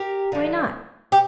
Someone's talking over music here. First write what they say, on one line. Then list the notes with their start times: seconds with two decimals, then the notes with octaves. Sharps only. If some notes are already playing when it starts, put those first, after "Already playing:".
Why not?
Already playing: G4 A#4
0.32 D3 F3 A3
1.12 G4